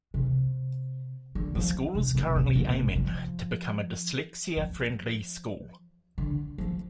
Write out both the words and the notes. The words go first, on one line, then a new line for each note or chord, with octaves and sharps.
The School is currently aiming to become a Dyslexia Friendly School.
C3
D3
F3
C3
A#2
A#2
C3
A#2
C3
G3
F3
F3
D3
F3